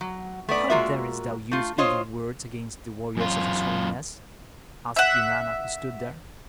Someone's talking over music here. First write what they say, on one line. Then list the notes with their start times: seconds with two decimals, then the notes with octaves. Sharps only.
"But how darest thou use evil words against the warriors of his holiness?" asked Eunana, who stood there.
0.01 F#3
0.49 A3 B3 D5
0.70 G#3 A#3 F4 F#4 A#4 E5
1.51 A3 F4
1.78 F4 C5 C#5 D#5
3.17 F#2 F4
4.96 E5 F#5